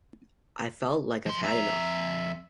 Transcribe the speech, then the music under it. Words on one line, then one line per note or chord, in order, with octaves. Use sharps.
I've felt like I've had enough.
F3 C6
F2 E5 A#5